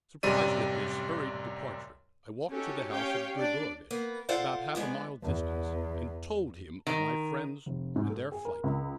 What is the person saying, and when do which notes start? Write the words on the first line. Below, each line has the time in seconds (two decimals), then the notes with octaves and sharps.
Surprised at this hurried departure, I walked to the house of Grigorovitch, about half a mile distant, and told him of my friends and their flight.
0.23 A1 F#2 C3 G3 D5 D#7
2.50 C#4 D#4 F#4 G4 A4
2.91 C#4 G4 C#5 F5 G5
3.37 D4 D5
3.91 A#3 B3
4.29 F4 A4 C5 D5 F5 F#5
4.75 F3 G#3 B3 D4
5.23 E2
6.87 D#3
7.66 F1
7.96 G#2
8.10 A4
8.32 G#4
8.45 A#4
8.64 C#2